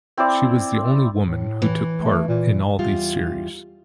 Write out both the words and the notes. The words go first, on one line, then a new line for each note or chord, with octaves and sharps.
She was the only woman who took part in all these Series.
C4 E4 C5 D5
A2
E3
A3
A#2
E2 G3 F4